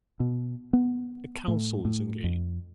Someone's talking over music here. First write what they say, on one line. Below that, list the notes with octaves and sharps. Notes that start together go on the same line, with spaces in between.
A counsel is engaged.
B2
B3
A2
A2
F2